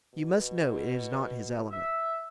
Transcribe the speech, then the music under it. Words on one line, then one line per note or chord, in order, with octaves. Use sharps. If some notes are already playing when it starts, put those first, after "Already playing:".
"You must know it is not his element."
B2
E5